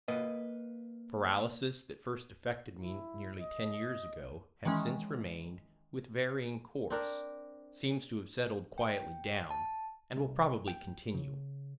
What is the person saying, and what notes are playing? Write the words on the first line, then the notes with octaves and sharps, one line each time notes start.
The paralysis that first affected me nearly ten years ago, has since remain'd, with varying course--seems to have settled quietly down, and will probably continue.
A#3 B4 D#5
E4
D#5
D#3 E3 G#3 C#4
C4 D4 A#4
G5
A5
C2
G5
C#3